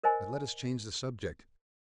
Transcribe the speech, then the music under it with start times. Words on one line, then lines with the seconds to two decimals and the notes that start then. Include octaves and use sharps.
But let us change the subject.
0.04 A#4 C5 D#5 G#5